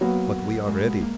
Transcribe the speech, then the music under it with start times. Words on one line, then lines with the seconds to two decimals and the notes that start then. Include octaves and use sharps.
But we are ready.
0.01 F#3 A#3 B3 F#4
0.67 G#3
1.01 A#3